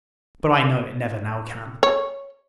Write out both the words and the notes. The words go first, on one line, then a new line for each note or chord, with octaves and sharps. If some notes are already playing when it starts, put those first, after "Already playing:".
But, I know, it never now can.
C#5